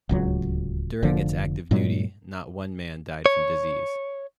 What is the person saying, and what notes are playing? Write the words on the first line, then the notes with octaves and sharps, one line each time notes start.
During its active duty, not one man died from disease.
D1 C#2 F#3
F1 D3 F3
G2 A#2 F#3 G#3
C#5